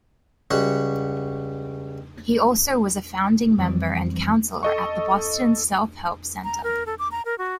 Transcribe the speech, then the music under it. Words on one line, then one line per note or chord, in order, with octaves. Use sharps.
He also was a founding member and counselor at the Boston Self-Help Center.
C#2 G3 F#4 F#5
F2 E3 F3 G3 C4
A4 D#5 C#6
A#5
A#4
A4
D6
A#5
A#4
F#4